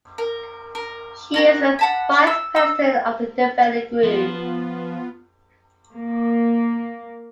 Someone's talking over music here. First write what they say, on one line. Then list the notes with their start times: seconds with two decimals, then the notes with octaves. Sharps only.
She is a Vice-President of the Debating Group.
0.18 A#4
0.75 A#4
1.34 C#4 A#4 F#5
1.79 F#5 A5 B5
2.27 E6
2.56 E6
4.03 F3 B3 F4
5.91 A#3